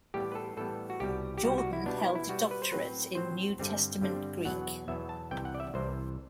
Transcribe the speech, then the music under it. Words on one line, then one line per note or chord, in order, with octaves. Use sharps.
Jordan held a doctorate in New Testament Greek.
A2 E3 G3 B3 G4
B4
A4
A2 E3 G3 B3 A4
F#4
C2 B2 G3 G4
G4
C2 B2 G3 F#4
F#4
E4
B2 G3 B3 D4
E4
E4
B2 G3 B3 F#4
B4
C5
A2 F#3 C4 B4
A2 F#3 C4 C5
G2 D3 G3 C4
G2 D3 G3 C4
E2 B2 F#3 B3 F#5
E2 B2 F#3 B3 E5
A5
C2 C3 E3 G5
F#5
D5
E5
C2 C3 E3 C5